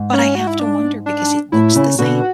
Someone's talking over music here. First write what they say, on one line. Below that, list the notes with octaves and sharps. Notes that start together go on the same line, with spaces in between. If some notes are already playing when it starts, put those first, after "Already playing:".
but I have to wonder because it looks the same,
Already playing: G#2
C#4
F#4
E4
D4
D4
A2 E4
C#3
B2 D3 F#4